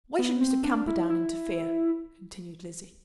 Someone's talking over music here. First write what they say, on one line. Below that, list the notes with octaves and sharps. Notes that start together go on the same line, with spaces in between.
"Why should Mr. Camperdown interfere?" continued Lizzie.
B3
C4
D4
E4
E4